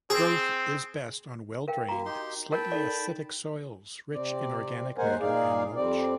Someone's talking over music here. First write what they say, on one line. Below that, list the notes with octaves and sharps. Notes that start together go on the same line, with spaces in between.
Growth is best on well-drained, slightly acidic soils rich in organic matter and mulch.
C4 G#4
A#4 F5 G5
A#3 F#4 A#5
D#4 G4 C6
A#4 G5 A5 B5
D#4 A4 D5
C3 C4 D5
D#2 G#3 A#4 C5 F#5 G#5
A#2 D#4 G#4 D5 F5
F2 G3 C4 D5